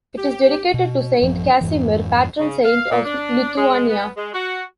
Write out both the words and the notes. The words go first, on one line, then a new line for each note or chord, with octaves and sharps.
It is dedicated to Saint Casimir, patron saint of Lithuania.
G4
B2
A1 F#2 F3
F2 G#2 E3
C#3
F5
A#2
D4
G#3
B3
G#3
F#4